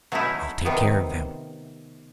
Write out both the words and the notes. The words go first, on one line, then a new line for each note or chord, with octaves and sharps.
I'll take care of them.
F#3 A3 C#4 D#4 E4
C3 D#3 B3